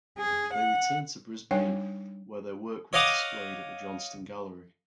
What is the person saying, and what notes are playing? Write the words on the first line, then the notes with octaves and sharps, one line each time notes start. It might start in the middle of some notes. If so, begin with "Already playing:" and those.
They returned to Brisbane where their work was displayed at the Johnstone Gallery.
G#4
F#5
G3 D4 D#4 C#5 G5 G#5
C#5 D#5 F5 F#5 D6 D#6